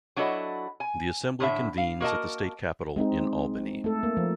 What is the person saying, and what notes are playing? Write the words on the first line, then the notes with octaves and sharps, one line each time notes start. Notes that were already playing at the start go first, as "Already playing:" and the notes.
The Assembly convenes at the State Capitol in Albany.
F#3 D4 E4 F#4 A4 D#5
G#5
A2 D3 E5
F5
A#3 F#4 A#4 D5 D#5 A5
G#3 C4 D#4
A3 A4
A#3
F3